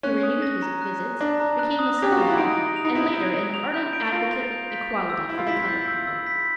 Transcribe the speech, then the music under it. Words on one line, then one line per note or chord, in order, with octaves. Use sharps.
He renewed his visits, became a son-in-law, and, later, an ardent advocate of equality for the colored people.
C#4 F#6
D#6
A#6
A#5
F#6
D#6
D4 A#6
A#5
F#6
D#6
G4 A#6
F#4
F4 A#5
E4
D#4 D7
A#6
F7
D#4
E4 G6
D7
A#6
F7
G6
D7
F4 A#6
F7
G6
B6
G6
E6
E4 E6
F4
E4 B6
G6
E6
E6
B6